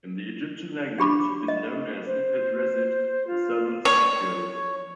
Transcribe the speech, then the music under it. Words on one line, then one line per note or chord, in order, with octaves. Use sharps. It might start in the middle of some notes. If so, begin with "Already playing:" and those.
In the Egyptian language it is known as "ipet resyt", "the southern sanctuary".
D4 G4 B5 D6
D#5
C5
F4
C#5